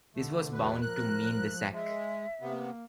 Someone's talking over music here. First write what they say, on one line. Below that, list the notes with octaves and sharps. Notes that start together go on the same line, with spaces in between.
This was bound to mean the sack.
D3 A3
E2 B2 B4
F3 A#4 F#6
G#3 E5
C3 A#3 B3